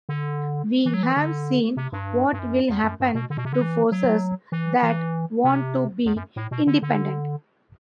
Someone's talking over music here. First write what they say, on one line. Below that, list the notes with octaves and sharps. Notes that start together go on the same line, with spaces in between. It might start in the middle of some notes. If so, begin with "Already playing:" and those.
We have seen what will happen to forces that want to be independent.
D3
E3
F#3
E3
D3
C3
G2
G2
F#2
E2
F#2
G2
B2
D3
B2
C3
D3
E3
F#3
E3
E3
C3
E2
F#2
A2
B2
D3
D3